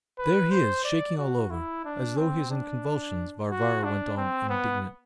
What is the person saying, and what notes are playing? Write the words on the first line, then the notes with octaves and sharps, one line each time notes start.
"There he is shaking all over, as though he is in convulsions!" Varvara went on indignantly.
B4
C5
D5
F#4
E4
D4
C4
D4
F#4
D4
C4
B3